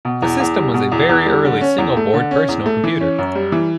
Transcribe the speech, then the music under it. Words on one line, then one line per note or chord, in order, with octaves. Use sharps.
The system was a very early single-board personal computer.
B2
E2
E2
G3
B2
E2
E2
G3
D3
C#4
E2
A3
D3
C#4
E2
A3
E3
C#4
F#2
G3
E3